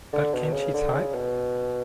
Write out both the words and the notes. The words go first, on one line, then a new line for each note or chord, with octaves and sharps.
But Can She Type?
D3
B2
C#3
D3
C#3
B2